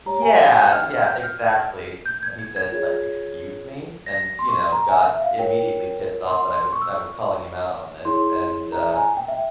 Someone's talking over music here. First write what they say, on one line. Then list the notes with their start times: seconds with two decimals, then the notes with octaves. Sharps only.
Yeah, yeah, exactly. And he said, like, "Excuse me?" and, you know, got immediately pissed off that I was I was calling him out on this, and, uh,
0.06 G4 C#5 A#5
0.22 G#5
0.39 F5
0.56 G5
0.73 F6
0.90 F6
1.05 G6
1.23 F6
2.06 G6
2.23 G#6
2.39 G#6
2.56 G#6
2.72 F4 G#4 C#5
4.06 A#6
4.39 C6
4.49 C#6
4.59 C6
4.72 A#5
4.89 G#5
5.06 E5
5.22 F5
5.39 F4 A#4 C#5 G5
6.28 C6
6.50 C6
6.73 C#6
6.82 E6
6.91 C#6
8.05 E4 G#4 C#5 C6
8.72 A#5
8.89 A#5
8.94 G#5
9.17 G5
9.28 E5